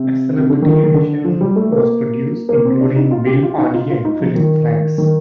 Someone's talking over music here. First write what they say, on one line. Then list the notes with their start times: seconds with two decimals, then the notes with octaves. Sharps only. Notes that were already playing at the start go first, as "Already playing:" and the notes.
A celebrity edition was produced, including Bill Oddie and Phillip Franks.
Already playing: C3
0.38 C3
0.50 D3
0.62 D#3
0.84 D#3
0.94 D3
1.25 F3
1.41 G3
1.56 A3
1.72 A#3
2.49 A#3
2.65 C4
2.80 D4
2.96 D#4
3.11 F4
3.27 G4
3.43 F4
3.58 D#4
3.74 F4
3.90 F4
4.05 D#4
4.20 F3
4.36 D#3
4.98 D#3